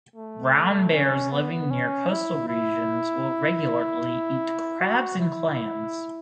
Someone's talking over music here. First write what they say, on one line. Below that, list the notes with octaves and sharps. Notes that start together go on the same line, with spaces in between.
Brown bears living near coastal regions will regularly eat crabs and clams.
A3
C#4
B3
C#4
E4
E4
F#4
E4